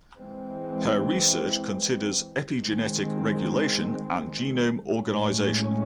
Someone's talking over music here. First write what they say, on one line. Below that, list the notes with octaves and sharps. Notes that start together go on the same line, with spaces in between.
Her research considers epigenetic regulation and genome organisation.
E3 G#3 C4
D#3 G#3 C4
A2 G#3 C#4